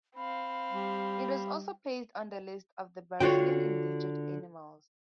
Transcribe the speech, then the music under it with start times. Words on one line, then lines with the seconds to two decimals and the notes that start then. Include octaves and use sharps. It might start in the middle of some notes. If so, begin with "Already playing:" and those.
It was also placed on the list of the Brazilian endangered animals.
0.16 C4 F5 B5
0.72 G3
3.20 D3 D4 F4 F#4 C#5 G5